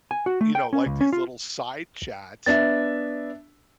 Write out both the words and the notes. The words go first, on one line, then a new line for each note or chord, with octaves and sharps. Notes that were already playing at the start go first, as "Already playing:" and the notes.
you know, like these little side chats
G#5
F#4
A3
G5
C#4
C#2
C#4
F4
B3 D4 E5 A6